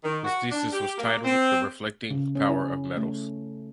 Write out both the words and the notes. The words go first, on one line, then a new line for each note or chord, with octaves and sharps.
His thesis was titled "The Reflecting Power of Metals".
D#3
F#4
D4
G4
A#3
C4
C#3
C#4
E4
A3